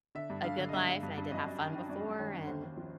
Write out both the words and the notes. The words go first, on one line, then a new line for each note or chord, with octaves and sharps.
a good life, and I did have fun before. And
D3 E5
G2
D3 F5
D3
D#5
G2 E5
G2
G2
G2
F#2 D#5
F#2
D#3
D#3
F#2 D5
F#2
D#3 C#5
F#2
D#2 C5
D#2
F3